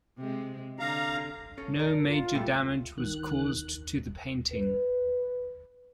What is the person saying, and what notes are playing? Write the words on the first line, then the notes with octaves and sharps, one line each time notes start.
No major damage was caused to the painting.
C3 G#3
D3 F5 A#5
C#4 A4 C#5
A4 A#4 D5
F4
A#2 G3 A3
D#3 F#6
B4